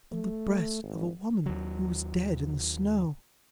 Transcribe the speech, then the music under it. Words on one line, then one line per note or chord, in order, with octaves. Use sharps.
"On the breast of a woman who was dead in the snow."
A3
G#1
D#2 F#3